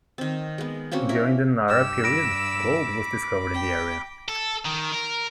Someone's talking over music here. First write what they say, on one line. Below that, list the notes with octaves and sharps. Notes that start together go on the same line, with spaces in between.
During the Nara period, gold was discovered in the area.
D#3 C4
G#3 B3
A#3 C4 C#4 F#4
E4 A#4
G2 G4 E6
B5 D6 A#6 D7
G5
A4
D#3
A#4